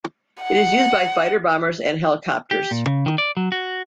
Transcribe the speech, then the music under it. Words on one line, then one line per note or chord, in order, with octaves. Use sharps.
It is used by fighter bombers and helicopters.
F#5
G4
A#2
C#3
D#3
D5
F#3
F#4